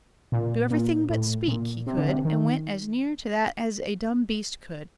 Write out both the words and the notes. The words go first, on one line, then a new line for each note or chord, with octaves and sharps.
Do everything but speak, he could, and went as near to that as a dumb beast could.
A#2
A#2
A2
A#2
C3
D3
C3
D#3